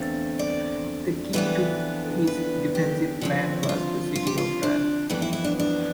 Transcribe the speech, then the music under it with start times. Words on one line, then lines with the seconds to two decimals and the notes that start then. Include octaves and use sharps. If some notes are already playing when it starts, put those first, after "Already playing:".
The key to his defensive plan was the city of Raab.
Already playing: E2 D3 A3 C4 F5
0.39 D5
1.33 F2 E3 B3 D4 B4
2.27 B4
2.75 G4
3.21 D3 F3 C4
3.63 E4
3.69 F4
4.16 F4
4.27 G4
4.38 F4
4.63 D4
5.10 F2 E3 B3 D4
5.22 E4
5.33 E4
5.45 D4
5.60 D4